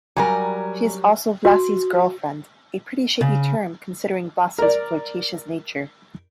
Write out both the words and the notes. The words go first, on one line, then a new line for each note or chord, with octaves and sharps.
She is also Vlassis' girlfriend, a pretty shaky term considering Vlassis' flirtatious nature.
F#3 G3 A#4 G#5
F#4
C#3
A#4 D5